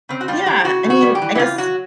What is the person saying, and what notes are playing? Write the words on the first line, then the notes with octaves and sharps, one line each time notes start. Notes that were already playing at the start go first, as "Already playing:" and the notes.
yeah, I mean, I guess
C#3 C4
F#4
G3 F4
E3 G4
C#3 F#4
C#3
F#4
G3
G4
E3
E4
C#3 F4
F#3 F#4